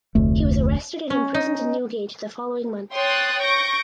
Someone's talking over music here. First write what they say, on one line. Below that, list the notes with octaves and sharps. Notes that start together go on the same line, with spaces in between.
He was arrested and imprisoned in Newgate the following month.
F1 D2 A3
C#4
D#4
C#5 G5 C6 D#6 F#6 A6
C#6 G6 A#6 D7